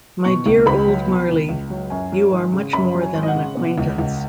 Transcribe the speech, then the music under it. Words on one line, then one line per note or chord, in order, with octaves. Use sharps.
My dear old Marley, you are much more than an acquaintance.
B2 C#6
C#2
C#2 B5
F#3
B2
C#2
C#2
F#3
F#2 G#5
F#3
G#1
C#3
F#2 B5
F#3
G#5
G#1
D#5
F#5
C#3
B2
C#2
C#2